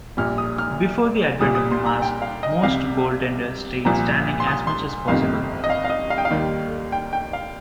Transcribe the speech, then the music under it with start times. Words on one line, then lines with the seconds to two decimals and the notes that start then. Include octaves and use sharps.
Before the advent of the mask, most goaltenders stayed standing as much as possible.
0.17 A#1 A#2 G3 F6
0.38 D#6
0.58 F6
1.40 C2 A#2 G3 D#6
1.55 D#6
1.72 C6
1.86 A#5
2.02 G5
2.22 F5
2.43 D#5
2.63 C2 C3 G3 F5
3.85 C2 A#2 F3 A#5
4.40 C6
4.47 D#6
4.67 C6
5.08 G1 F2 C3 D#3 F5
5.64 D#5
5.70 F5
5.85 F5
5.90 D#5
6.10 F5
6.18 G5
6.25 F5
6.30 D#2 D#3 G3
6.92 G5
7.13 G5
7.33 F5